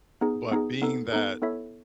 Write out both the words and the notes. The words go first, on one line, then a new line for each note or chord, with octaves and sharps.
but being that
B3 D#4 G#4
B3 D#4 G#4
B3 D#4 A4
B3 D#4 A4
B3 E4 A4 C#5 E5